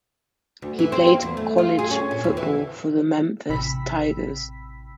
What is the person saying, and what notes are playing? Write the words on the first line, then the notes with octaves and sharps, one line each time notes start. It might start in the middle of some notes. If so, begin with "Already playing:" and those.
He played college football for the Memphis Tigers.
D2
E3
C4
A#3
E2
A3
F4
G#4
C#4
A#2
D#2
E3
A1 C3 B5 E6 B6